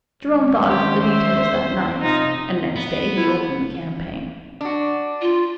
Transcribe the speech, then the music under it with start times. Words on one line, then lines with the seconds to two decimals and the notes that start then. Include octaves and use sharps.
Jerome thought out the details that night, and next day he opened the campaign.
0.22 D#3 G#3 C#4
0.66 G4 C5
1.03 C5 E5
1.71 C4
2.01 C3 D#4 F4 D#5
2.76 B3
3.17 E4
4.61 D4 F#4
5.21 F4